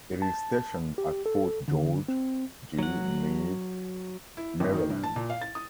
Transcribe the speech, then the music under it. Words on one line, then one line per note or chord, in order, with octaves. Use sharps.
It is stationed at Fort George G. Meade, Maryland.
A5
G4
A4
D3
C4
F#3 F#5
E4
G#1
D#3
G2
A5
A#2
F5
A6
D#6